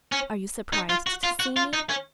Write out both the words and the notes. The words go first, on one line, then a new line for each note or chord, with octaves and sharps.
"Are you surprised to see me?"
C#4
D#4
F4
F#4
F4
F#4
F4
D#4
C#4